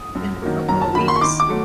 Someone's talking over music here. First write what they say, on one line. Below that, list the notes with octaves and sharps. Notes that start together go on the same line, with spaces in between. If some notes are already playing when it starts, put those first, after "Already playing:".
in a couple of weeks.
Already playing: D#6
F#2
D#3 F#3 A#3
F#2 A#5
A5
D#3 F#3 A#3 B5
C6
C#6
D#3 D6
D6
F#3 A3